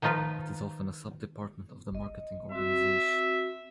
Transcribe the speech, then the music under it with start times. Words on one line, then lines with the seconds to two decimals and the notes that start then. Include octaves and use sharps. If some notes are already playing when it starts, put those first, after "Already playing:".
It is often a sub-department of the Marketing organization.
0.02 D#3 F3 D#4 F4 B4
1.95 D#5
2.52 C4 F#4 E5